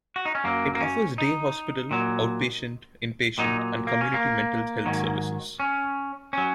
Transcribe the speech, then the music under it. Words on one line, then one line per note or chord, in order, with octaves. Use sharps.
It offers day hospital, outpatient, inpatient, and community mental health services.
F#4
D#4
C#4
F#2 F#3 A#3
A#3
C#4
D#4
A#2 F#3
A#2 F#3 D#4
A#3
C#4
A#3
G#2 D#3 F#3
C#4
F#3 C#4